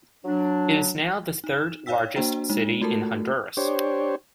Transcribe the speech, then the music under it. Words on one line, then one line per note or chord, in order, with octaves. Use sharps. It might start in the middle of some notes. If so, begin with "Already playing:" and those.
It is now the third-largest city in Honduras.
F#3 D4
D#4 E7
C#5 D5 F5 G5 E6 B6
A#3 D4 F#4 C5 G5 A#5
G#3 D#4
A3 F4 F#4 A4 A#4 A5
D4 G4 C5 C#5